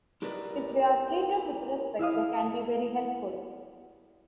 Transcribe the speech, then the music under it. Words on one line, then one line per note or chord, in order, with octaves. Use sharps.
If they are treated with respect, they can be very helpful.
E4 G4 A#4 B4 D5 D#5
E4 E5 F5 D#6